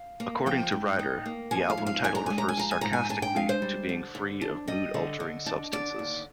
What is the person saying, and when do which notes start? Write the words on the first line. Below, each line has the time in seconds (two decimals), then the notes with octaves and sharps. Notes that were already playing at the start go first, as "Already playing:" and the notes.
According to Ryder, the album title refers sarcastically to being free of mood-altering substances.
Already playing: F5
0.20 A#3
0.46 F3 G5
0.72 G#2
0.99 D#4
1.26 A#3
1.51 F3 G#5
1.70 F5
1.77 G#2
1.87 F5
2.04 D4 G#5
2.15 A#5
2.26 G#3 G#5
2.38 A#5
2.49 G#5
2.57 F3 A#5
2.71 G#5
2.81 G#2 A#5
2.93 G#5
3.09 D4 G#5
3.22 G5
3.36 G#3 F5
3.49 C5
3.62 G3
3.89 D3
4.15 D3
4.41 D4
4.68 G3 D#5
4.94 D3
5.20 D3
5.46 D4
5.72 D3 D5
5.99 D#2